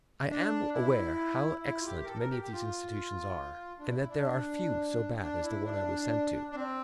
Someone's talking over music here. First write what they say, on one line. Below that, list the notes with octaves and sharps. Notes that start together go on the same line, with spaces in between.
I am aware how excellent many of these institutions are, and that there are few so bad as the one I was sent to.
D4
E4
E4
F4
G4
A#4
A4
A#4
G4
G4
F4
D4
E4
D4
D4
E4
D4
D4
C4